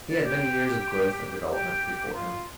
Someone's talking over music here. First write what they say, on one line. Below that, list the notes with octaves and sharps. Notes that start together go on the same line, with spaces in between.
He had many years of growth and development before him.
D5
G4
G4
F4